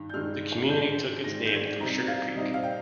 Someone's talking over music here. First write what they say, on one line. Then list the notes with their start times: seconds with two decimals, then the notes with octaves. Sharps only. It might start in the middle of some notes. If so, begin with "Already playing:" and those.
The community took its name from Sugar Creek.
Already playing: G2 D#3
0.09 G6
0.14 G2 D#3 G#3 F6
0.69 G#2 D#3 G#3 G6
1.24 G#2 D#3 G#3 A#6
1.46 G6
1.53 G#6
1.80 C3 G3 C4 D#4 A#5
2.08 F5
2.35 C3 G3 C4 D#4 D#5
2.54 F5
2.63 G5